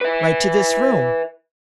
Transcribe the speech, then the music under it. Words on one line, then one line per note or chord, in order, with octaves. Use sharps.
"Right to this room!"
B4 E5